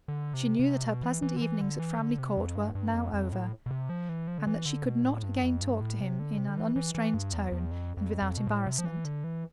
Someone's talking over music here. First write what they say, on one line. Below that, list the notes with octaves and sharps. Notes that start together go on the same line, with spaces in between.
She knew that her pleasant evenings at Framley Court were now over, and that she could not again talk to him in an unrestrained tone and without embarrassment.
D3
C3
C3
B2
E3
E3
D3
E3
D3
E3
D3
C3
F2
G2
G2
F2
F2
A2
B2
C3
F3
E3
F3
D3
E3
D3
B2
A2
G2
F2
G2
A2
C3
D3
C3
D3
E3
E3
E3
G2
E2
E2
F2
F2
F2
B2
A2
C3
F3
E3
D3
E3